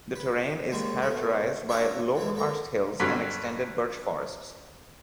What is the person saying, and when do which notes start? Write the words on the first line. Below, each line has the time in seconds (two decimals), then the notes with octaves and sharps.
The terrain is characterised by low karst hills and extended birch forests.
0.15 B4
0.72 D#2 G3 G#3 A#3
1.02 B1 A3
1.69 D4 F#4 A#4 C#5 D5 E5
2.15 D3 E3 G#3
2.35 D3 A#3 A#5
3.00 G2 D3 F#3 C4